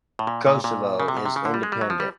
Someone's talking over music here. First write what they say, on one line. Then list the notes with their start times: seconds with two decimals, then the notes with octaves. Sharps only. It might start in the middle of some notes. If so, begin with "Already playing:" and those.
Kosovo is independent.
0.19 A2
0.27 A#2
0.46 A#2
0.64 A#2
1.00 C#3
1.08 C3
1.17 B2
1.26 C3
1.36 C#3
1.45 D3
1.54 G3
1.63 G#3
1.72 G3
1.81 F#3
1.90 F3
2.00 G3